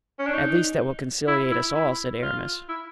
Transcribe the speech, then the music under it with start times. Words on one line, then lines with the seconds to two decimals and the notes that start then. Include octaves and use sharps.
"At least that will conciliate us all," said Aramis.
0.19 C#4
0.27 D4
0.34 D#4
1.28 E4
1.51 E4
1.75 E4
2.22 F4
2.69 E4